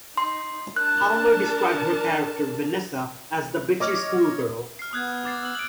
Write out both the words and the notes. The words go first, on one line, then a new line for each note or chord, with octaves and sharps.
Palmer described her character, Vanessa, as "the bitchy schoolgirl".
D#4 C6
D4 A#4 A5 F#6
C#5 D#5 D6 F6
F6 C7
B3 D#6 F#6 G#6
D6 A6 C7
E6 F#7
D7 F#7